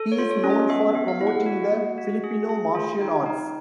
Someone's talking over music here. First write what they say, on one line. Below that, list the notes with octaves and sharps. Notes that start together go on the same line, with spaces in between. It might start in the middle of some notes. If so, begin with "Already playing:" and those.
He is known for promoting the Filipino Martial Arts.
Already playing: A4
C#5
F4
C#5
C#4
D#5
B3 E5
E5
B3
F5
E4
F#5
F#4
A#3
F#4
G#4
G#4
F4
D#4 G5
D#4